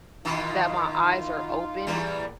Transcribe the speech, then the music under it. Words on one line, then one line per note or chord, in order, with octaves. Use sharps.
that my eyes are opened,
B2 D#3 E3 D#4 F4 F5
E2 E3 G3
A#2